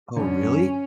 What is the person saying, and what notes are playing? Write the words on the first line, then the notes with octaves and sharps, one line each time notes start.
Oh, really?
F#2 D3 C#4